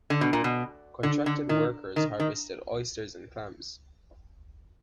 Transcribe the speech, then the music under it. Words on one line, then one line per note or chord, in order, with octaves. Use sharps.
Contracted workers harvested oysters and clams.
D3
B2
A#2
B2
D3
D3
D#3
D#3
D#3